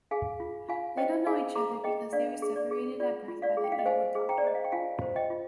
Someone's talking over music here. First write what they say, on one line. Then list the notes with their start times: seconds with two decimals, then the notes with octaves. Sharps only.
They don’t know each other because they were separated at birth by the evil Dr.
0.11 G#4 F5 G#5
0.40 F4
0.69 F4 F5 G#5
0.97 C5 D#5 G5
1.26 G#4 F5 G#5
1.55 G#4 A#5 D6
1.84 G#4 D#5 G5
2.13 D4 D5 F5
2.42 G#4
2.56 D5
2.71 G#4
3.00 F4 D5
3.28 F4
3.42 D5 F5
3.57 G#4
3.64 G5
3.72 F5
3.79 D#5 G5
3.86 C5 F5 G#5
4.15 G#4
4.29 G5 A#5
4.38 D5
4.44 C5 D#5
4.55 F5
4.64 G5
4.72 F4 F5 G#5
5.02 C5
5.16 D#5 G5
5.30 F4